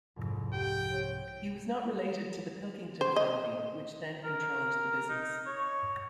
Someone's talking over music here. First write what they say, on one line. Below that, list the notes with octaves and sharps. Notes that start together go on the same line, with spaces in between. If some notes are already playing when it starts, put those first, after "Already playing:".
He was not related to the Pilkington family which then controlled the business.
C2 F2 G#2
G4 F#5 G5
C4 C#5
C5
D#5
A#4
D#4
C#5